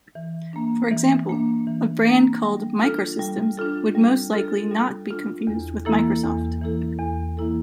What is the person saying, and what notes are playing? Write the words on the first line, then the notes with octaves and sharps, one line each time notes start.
For example, a brand called "Microsystems" would most likely not be confused with Microsoft.
E3
A#3 D4
E3
A#3 D4
E3
A#3 D4
G3
D4 F4 A4
G3
D4 F4 A4
G3
D4 F4 A4
G3
D4 F4 A4
E2
E3 A#3 E4 A4
E2
E3 A#3 E4 A4
E2
E3 A#3 E4 A4